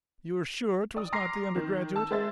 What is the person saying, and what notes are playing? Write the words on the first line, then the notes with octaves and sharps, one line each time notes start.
"You are sure 'twas not the undergraduate?"
D5 D#6
A#5 C6 D6 F6 A#6 C7
D#3
A5 E6
G#3 G#4 C5 E5 A6